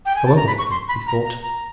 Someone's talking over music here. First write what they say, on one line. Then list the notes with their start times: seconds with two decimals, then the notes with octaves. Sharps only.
'I won't wake them,' he thought.
0.06 G5
0.16 G#5
0.26 A5
0.36 A#5
0.47 B5
0.58 C#6
0.71 C6
0.88 B5
1.07 A#5
1.25 A#5
1.42 A#5